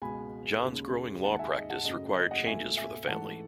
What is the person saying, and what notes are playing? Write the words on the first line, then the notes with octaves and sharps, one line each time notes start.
John's growing law practice required changes for the family.
C#2 B2 G#3 G#5 B5
D#2 C#3 G#3
D#2 D#3 G#3 F#5 A5
E5 G#5
D#5
F#5 A5
F#2 C#3 F#3 A3 D#5
D#5
D#5 F#5
C#2 B2 A3 E5 G#5
E5 G#5
G#2 E3 A3 F#5 A5